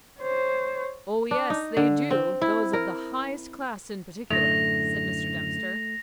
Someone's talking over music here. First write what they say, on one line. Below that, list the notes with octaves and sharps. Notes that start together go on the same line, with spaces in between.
"Oh, yes; they do--those of the highest class in particular," said Mr. Dempster.
C5 C#5
D4
D#4
D3
C4
E4
A#4
F#2 A2 D3 A3 A#6 F7